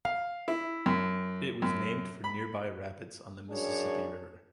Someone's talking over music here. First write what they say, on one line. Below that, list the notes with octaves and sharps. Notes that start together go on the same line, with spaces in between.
It was named for nearby rapids on the Mississippi River.
F5
E4
F#2
F#2
B5
F#2 D4 G#4 C#5